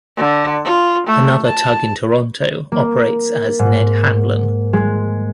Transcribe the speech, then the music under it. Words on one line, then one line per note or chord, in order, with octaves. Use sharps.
Another tug in Toronto operates as "Ned Hanlan".
D3
F4
A3
A5
A#3
G#2
G#3